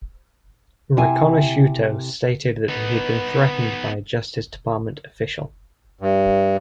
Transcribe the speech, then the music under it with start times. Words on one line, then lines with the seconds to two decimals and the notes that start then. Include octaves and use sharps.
Riconosciuto stated that he had been threatened by a justice department official.
0.97 C3 E4 G#5
2.69 B3 D#4 B4
6.01 G2